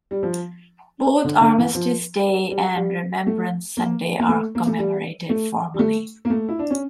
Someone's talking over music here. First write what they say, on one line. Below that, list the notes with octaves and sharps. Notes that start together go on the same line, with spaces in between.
Both Armistice Day and Remembrance Sunday are commemorated formally.
G3
F3
D3
D3
E3
F3
G3
G3
A3
A#3
A#3
A3
A#3
A3
G3
A3
G3
A3
A#3
A3
E4
D4
C#4